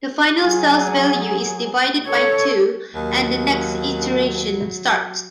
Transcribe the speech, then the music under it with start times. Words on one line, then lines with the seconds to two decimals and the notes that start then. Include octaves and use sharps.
The final cell's value is divided by two, and the next iteration starts.
0.43 F#3 G#4
2.07 A4 C#5
2.95 D#2 F#3